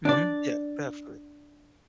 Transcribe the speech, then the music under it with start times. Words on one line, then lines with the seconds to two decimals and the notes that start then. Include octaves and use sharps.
Mhm, yeah, definitely.
0.05 D4 D5